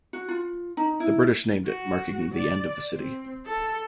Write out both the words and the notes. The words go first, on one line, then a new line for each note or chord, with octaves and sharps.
The British named it marking the end of the city.
F#4
F4
D#4
E4
F#4
D5
C4
A4